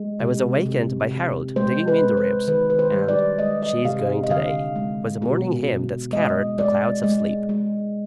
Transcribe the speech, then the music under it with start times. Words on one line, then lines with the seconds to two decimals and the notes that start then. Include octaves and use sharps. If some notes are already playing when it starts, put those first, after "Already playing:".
I was awakened by Harold digging me in the ribs, and "She's going to-day!" was the morning hymn that scattered the clouds of sleep.
Already playing: G#3
0.20 C3
0.66 C3
1.11 C3
1.56 G#3 C5
1.88 B4
2.03 G#3
2.17 C5
2.48 D#3 B4
2.70 B4
2.79 C5
2.93 G3
3.08 D5
3.39 G#3 D#5
3.63 D#5
3.85 C3 F5
4.23 D#5
4.30 D3 F5
4.76 G#3
5.22 B2
5.68 B2
6.12 G#3 D#5
6.58 G#3 D5
7.04 G#3
7.49 G#3